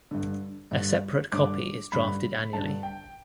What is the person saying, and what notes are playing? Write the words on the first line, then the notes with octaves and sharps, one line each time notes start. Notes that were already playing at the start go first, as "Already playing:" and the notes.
A separate copy is drafted annually.
G2 D3
G2 D3
G2 D3 D6
G2 D3 B5
G2 D3 A5
G5